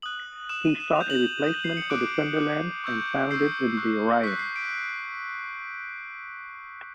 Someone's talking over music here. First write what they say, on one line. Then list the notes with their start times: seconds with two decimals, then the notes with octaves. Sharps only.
He sought a replacement for the Sunderlands and found it in the Orion.
0.02 D#6 F#6 F#7
0.49 D#6 F#6 E7
0.65 D#7
0.80 E7
0.96 D#6 G6 F7
1.10 F#7
1.23 F7
1.43 D#6 G6 E7
1.64 C7
1.77 C#7
1.90 D6 F#6 D7
2.37 D6 F#6
2.84 C#6 E6 G6
3.31 C#6 E6 G6 C7
3.77 C#6 F#6
4.23 C#6 F#6 B6
4.39 C7
4.56 D7